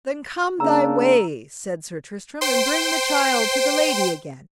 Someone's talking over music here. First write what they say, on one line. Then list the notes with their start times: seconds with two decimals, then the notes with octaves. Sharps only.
Then come thy way, said Sir Tristram, and bring the child to the lady again.
0.60 C#3 A#3 D4 A#5 E6
2.41 C5 G5 C6